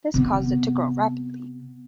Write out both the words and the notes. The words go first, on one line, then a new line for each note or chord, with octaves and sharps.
This caused it to grow rapidly.
C3 B3